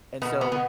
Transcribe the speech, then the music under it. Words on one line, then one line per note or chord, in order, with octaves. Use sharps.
And so,
B2 B3
B3
B2 B3